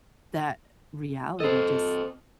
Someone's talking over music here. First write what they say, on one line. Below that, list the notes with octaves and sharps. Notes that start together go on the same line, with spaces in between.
that reality just
C4 A4 C5 D#5